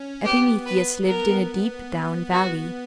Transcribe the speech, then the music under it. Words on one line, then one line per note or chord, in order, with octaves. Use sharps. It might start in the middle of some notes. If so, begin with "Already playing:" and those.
Epimetheus lived in a deep-down valley.
Already playing: C#4
B3 G4
B4
A#4
F#4